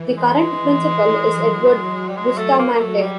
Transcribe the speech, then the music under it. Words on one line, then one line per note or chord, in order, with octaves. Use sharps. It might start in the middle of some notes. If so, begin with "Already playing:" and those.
The current principal is Edward Bustamante.
Already playing: E3
G#3
F#3
G3
G#3
A3
A#3
A#3
A3
G3